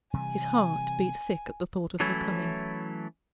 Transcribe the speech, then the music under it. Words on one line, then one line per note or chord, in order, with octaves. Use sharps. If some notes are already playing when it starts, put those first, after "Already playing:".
His heart beat thick at the thought of her coming.
C3 E3 G3 G#5
E3 F#3 A3 C#4 E4